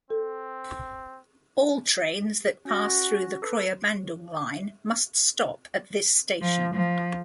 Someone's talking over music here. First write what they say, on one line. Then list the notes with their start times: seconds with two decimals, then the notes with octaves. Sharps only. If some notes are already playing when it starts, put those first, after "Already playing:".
All trains that pass through the Kroya–Bandung line must stop at this station.
0.10 C4 A4
2.65 C#4 F#4 A#6
3.42 A4 B4
6.41 F3
6.75 F3